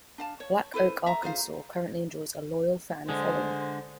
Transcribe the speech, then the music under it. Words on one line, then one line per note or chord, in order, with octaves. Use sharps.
Black Oak Arkansas currently enjoys a loyal fan following.
D4 F5 A5
C#5
E4 A4 B4 C5
E5 A#5
F4 G#4 C5 F5
D3 G#3 C5